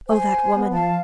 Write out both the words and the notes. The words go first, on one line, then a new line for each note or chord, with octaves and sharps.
Oh, that woman!
C5 G#5
B3
F3 F5 A5